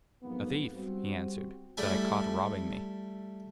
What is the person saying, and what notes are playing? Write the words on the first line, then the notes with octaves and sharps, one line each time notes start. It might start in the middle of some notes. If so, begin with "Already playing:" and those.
'A thief,' he answered, 'that I caught robbing me.'
F2 G#2 F#3 A#3 B3
G3 C4 F#4
G3 A3 E4 G#5